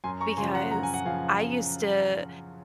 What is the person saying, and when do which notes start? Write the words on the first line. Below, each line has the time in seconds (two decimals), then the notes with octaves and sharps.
because I used to
0.04 F#2 G#5 C6
0.21 A#5 C#6
0.37 C#3 G#5 C6
0.42 F3
0.54 F#5 A#5
0.71 F#2 A#5
0.83 G#5
0.94 F#5
1.05 C#3 F3 F5 G#5